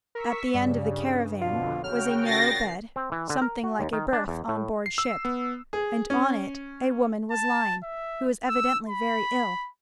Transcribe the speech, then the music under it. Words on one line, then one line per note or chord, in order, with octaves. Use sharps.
At the end of the caravan was a narrow bed something like a berth on board ship, and on it a woman was lying who was evidently very ill.
A#4 C#6 E6 B6
G2 C#3 G3
F2 B2 D3 F4
C#3 F#3 F#4 G5 F6
A#2 A6 A#6 C7
C4
E3
D3
A#4
F#4
D#2
D#3
D4
E2
A2
C7
E6
B3
G#4
C#4
A5
E5
E6
B5